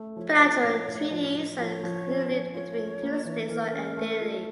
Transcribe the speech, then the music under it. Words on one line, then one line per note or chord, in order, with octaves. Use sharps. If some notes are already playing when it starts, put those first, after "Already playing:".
Bilateral treaties are concluded between two states or entities.
Already playing: A3
F3 C#5
F3
A2
A2
F3
F3
F3 C#5
F3
C#4
F3
F4 C#5
F4
A#3
E3
E3 A#4
C#4
A3
F4